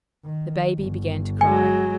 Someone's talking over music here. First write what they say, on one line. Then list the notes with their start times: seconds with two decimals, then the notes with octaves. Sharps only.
The baby began to cry.
0.25 D#3
0.78 G1
1.41 F#3 G#3 G#5